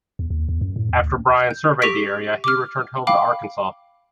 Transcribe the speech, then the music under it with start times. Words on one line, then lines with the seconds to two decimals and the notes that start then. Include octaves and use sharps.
After Bryan surveyed the area, he returned home to Arkansas.
0.19 E2
0.30 D#2
0.49 E2
0.61 F#2
0.76 A2
0.89 E2
1.02 D2
1.51 G6
1.82 G4 C#6 E6 A#6 B6 D7
2.44 D6 F6
3.07 F5 G5 B5 D6